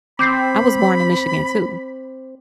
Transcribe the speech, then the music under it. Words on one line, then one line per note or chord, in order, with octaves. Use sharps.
I was born in Michigan too.
C4 B5 D6 G6 C7